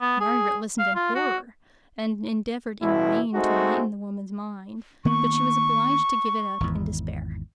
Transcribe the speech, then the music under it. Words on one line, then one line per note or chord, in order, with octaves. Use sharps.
Margaret listened in horror; and endeavoured in vain to enlighten the woman's mind; but she was obliged to give it up in despair.
B3
G#4
F5
F4
F#4
A1 B2 E3 E4
G#3 A3 C4 D#4 F#4
D#3 A#3 B3 C#6
G#1 E2